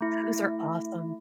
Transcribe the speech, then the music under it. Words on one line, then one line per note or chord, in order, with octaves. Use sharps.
Those are awesome.
A3 E4